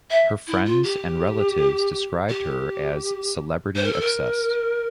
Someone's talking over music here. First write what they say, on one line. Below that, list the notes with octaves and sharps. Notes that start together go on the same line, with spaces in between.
Her friends and relatives described her as celebrity-obsessed.
E5
E4
F4
G4
G4
C5
A#4
A4
A#4